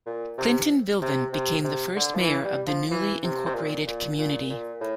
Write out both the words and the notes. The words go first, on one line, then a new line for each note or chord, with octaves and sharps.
Clinton Vilven became the first mayor of the newly incorporated community.
A#2
C3
C3
C3
C3
D3
F3
E3
G3
F3
E3
C3
C3
A#2
A#2
A#2
A#2
A2